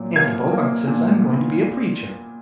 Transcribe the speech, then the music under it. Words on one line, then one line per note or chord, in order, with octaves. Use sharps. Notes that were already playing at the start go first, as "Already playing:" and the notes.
Auntie Bogart says I'm going to be a preacher.
Already playing: A#2 F#3
A#3 G#6
A#3
A#2
B3